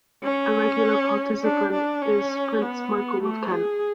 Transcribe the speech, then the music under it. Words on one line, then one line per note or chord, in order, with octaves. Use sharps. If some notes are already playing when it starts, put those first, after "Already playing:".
A regular participant is Prince Michael of Kent.
C#4
D4
D4
C#4
B3
A3
G#4